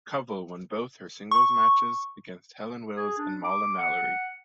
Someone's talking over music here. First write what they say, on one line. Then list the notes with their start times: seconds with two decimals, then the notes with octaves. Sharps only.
Covell won both her singles matches against Helen Wills and Molla Mallory.
1.31 C#6
2.96 G#4
3.18 D4
3.44 D6
3.77 F#5